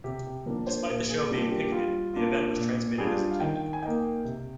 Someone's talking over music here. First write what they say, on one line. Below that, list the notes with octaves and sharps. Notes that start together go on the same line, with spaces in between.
Despite the show being picketed, the event was transmitted as intended.
C3 G4
G4
F3 A#3 D4 A#4
C5
A#2 A#4
G#4
G3 A#3 D4 F4 G4
G4
G4
G3 F4
A#3 D4 F4
A#2
G3 D4 F4 G#4
F5
D#3 G5
G#5
A#3 D#4 G5
C3